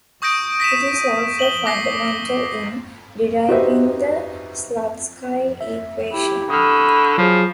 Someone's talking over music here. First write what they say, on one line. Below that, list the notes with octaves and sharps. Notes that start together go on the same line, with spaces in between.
It is also fundamental in deriving the Slutsky equation.
C#6 D#6 G6 A#6 D7
A#6 B6 D#7 E7
F#7 G7
D6 A#6 C7
D#4 F#4 G4 B4 C5 E5
E5
E4 G4
D3 B5 C#6 D#6 F6
F3 F#3 G#4